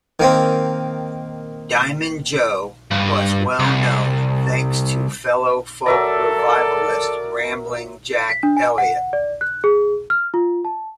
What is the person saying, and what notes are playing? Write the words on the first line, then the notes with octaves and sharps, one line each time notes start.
"Diamond Joe" was well-known thanks to fellow folk revivalist Ramblin' Jack Elliott.
D#3 A#3 C4
G2
C2
F#3 A4 A#4 D5 E5 A#5
D5
B6
D4
G#5
F#5
D5
F#6
G#4
F6
F4
A5